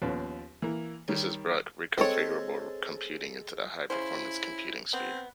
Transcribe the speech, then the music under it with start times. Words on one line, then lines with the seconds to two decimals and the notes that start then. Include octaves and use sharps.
This has brought reconfigurable computing into the high-performance computing sphere.
0.02 D#2 F3 B3 C#4 B4
0.62 E3 A#3
1.08 D#3 G3 C#5
1.98 G#3 C4 A4 C#5
3.90 C#3 C#4 E4 C5
4.93 B3 C4